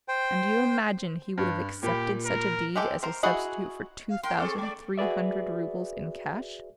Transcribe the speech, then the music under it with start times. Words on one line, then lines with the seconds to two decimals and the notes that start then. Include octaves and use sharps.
"And you imagine he would have accepted such a deed as a substitute for two thousand three hundred roubles in cash?"
0.08 C5 G5
1.38 G2
1.83 A#2 G4 B5
2.25 A#4
2.76 G#3 G4 A4
3.03 A#4 C5
3.23 E4 F#4 G#4 D#5 F#5
4.10 F5
4.23 A#4 G5 C6
4.38 C4 G#4 A4 D6
4.58 A3 D5
4.98 F#4 G#4 B4 D5 E5